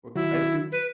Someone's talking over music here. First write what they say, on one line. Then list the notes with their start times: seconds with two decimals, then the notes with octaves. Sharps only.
with Ice Cube?
0.16 D#3 F#3 E4 F#4
0.72 B4